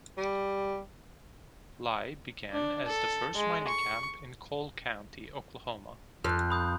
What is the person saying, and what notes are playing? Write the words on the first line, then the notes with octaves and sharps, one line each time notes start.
Lehigh began as the first mining camp in Coal County, Oklahoma.
G3
D4
A4
G#3
C#6
F2 C6 F#6
B5 D#6 G6